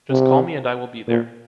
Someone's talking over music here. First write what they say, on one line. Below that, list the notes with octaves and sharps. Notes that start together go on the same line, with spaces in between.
Just call me and I will be there.
C3
A#2